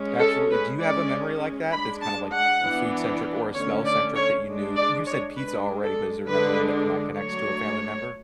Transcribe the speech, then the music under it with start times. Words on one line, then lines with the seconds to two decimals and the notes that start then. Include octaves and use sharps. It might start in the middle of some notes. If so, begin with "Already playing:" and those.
Absolutely, do you have a memory like that, that's kinda like a food centric or a smell centric that you knew? You said pizza already, but is there another one that kinda connects to a family member?
Already playing: G#3 C#4
0.20 A4
0.51 B4
0.80 G#3 C#4 D5
1.72 G#3 D4 B5
2.02 A5
2.33 F#5
2.64 E3 B3 D4
3.55 D3 A3 C#4 C#5
3.85 D5
4.15 C#5
4.46 G#3 D4
4.77 D5
5.06 C#5
5.37 G#3 D4 B4
5.83 A4
6.28 D3 G#3 D4 B4
7.19 F#3 A3 D4 C#5